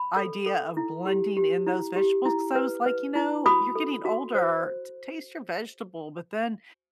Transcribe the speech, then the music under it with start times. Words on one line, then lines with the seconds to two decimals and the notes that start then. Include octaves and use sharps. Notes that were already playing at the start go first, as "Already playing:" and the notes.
idea of blending in those vegetables, 'cause I was like, "You know you're getting older, t taste your vegetable but then,
Already playing: B5
0.16 A4
0.46 A4
0.77 E4
1.06 G4
1.37 G4
1.66 E4
1.96 G4
2.25 E4
2.55 B4
2.86 B4
3.16 E4
3.46 F#4 B5 D#6
3.75 A4
4.05 F#4
4.35 C5